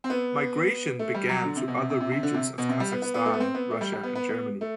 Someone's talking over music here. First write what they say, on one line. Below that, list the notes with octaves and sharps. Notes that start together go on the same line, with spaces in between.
Migration began to other regions of Kazakhstan, Russia and Germany.
C4
B3
A3
G3
F#3
D3
C3
B2
C3
C3
C3
C3
D3
C3
B2
C3
G3
B3
B3
B3
A3
B3
C4
B3
A3
G3
G3
B3
B3
B3
A3